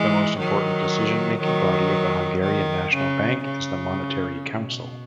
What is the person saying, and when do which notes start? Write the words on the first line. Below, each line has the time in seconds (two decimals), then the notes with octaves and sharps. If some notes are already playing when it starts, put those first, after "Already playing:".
The most important decision-making body of the Hungarian National Bank is the Monetary Council.
Already playing: E3 G#3
0.39 D#3 F#3
1.41 D#3 F#3
2.42 D#3
2.94 C#3
3.44 C#3
4.46 B2